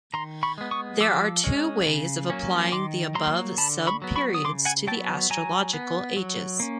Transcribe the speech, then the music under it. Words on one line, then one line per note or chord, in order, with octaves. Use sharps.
There are two ways of applying the above sub-periods to the astrological ages.
D#3 A#5 C6
B5 C#6
G#3 B3
C#6 D#6
F3 D6 E6
G#3 C#4
C#3
F#3 A#3 C#4
D#3 C6 D6
F#3 A#3 A#5 C6
D3 A5 B5
B5 C#6
F#3 B3
B5 C#6
D#6
C#3 C6 D6
F#5 G#5
F#3 B3 G5 A5
F#3 G#5 A#5
B3
F#3
A#3 C#4